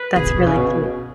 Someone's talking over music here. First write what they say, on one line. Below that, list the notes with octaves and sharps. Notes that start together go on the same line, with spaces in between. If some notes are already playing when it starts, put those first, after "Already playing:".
That's really cute.
Already playing: B4
B2 G#4
C#3
B2
C#3
B2